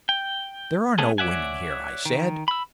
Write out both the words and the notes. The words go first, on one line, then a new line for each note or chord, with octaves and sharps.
'There are no women here,' I said.
G5
A3 B3 C#4 G#4 A4
C#5 D5 E5 F#5 G#5
D#3
B5 E6